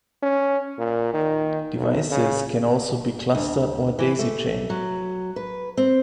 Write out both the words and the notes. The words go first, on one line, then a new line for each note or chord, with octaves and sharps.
Devices can also be clustered or daisy-chained.
C#4
A#2
D#3
B1
C#3
D2
E3
A3
F#3
B4
C4